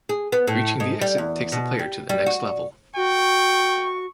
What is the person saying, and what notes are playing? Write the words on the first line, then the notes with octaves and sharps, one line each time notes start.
Reaching the exit takes the player to the next level.
G#4
B3
A2
G#2
G3
E2
B2
G3
G3
F#4
F#4 G5 C#6